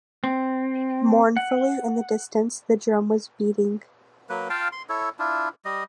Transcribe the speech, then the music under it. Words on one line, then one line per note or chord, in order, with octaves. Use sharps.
Mournfully, in the distance, the drum was beating.
C4
F#5
F#3 A#3 B4
F4 F5 G5 A5
C6
E4 A4 C#5
D4 E4 F4
G3 D#5